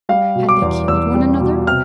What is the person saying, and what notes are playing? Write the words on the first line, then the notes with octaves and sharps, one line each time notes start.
Had they killed one another?
G3 F5
B2
D6
E2
E2 E6
G3
B2
C3 F6